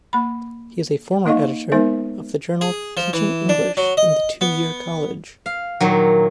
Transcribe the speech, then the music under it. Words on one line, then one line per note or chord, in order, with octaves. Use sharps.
He is a former editor of the journal Teaching English in the Two-Year College.
A#3 B5
A#3 D#4 D#5 F5 C#6
G#3 B3 D#4 A#4 C5 E5
G#4
F3
E3
D4
F#3
D#5
B3
F5
A#2 D#3 F#3